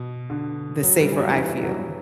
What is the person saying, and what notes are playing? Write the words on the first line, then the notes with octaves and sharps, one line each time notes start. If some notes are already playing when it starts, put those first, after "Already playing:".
the safer I feel.
Already playing: B2
D3
F#3
G3
E3
F#3
E3
F#3